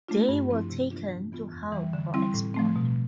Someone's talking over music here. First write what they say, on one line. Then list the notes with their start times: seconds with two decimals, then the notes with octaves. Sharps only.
They were taken to Hull for export.
0.08 A3 D4 F4
0.29 G2
0.49 F3 C4 E4
0.70 C3
0.91 E3 B3 D4 F4
1.11 A2
1.32 E3 B3 F4
1.52 F2
1.72 E3 G3
1.93 D3
2.14 G3 C4 E4
2.34 A2
2.54 F3 A3 C4
2.76 B2